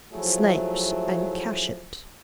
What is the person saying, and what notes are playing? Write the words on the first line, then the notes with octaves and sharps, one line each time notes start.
Snape and Cashett.
F3 F#3 A3 E4 G#4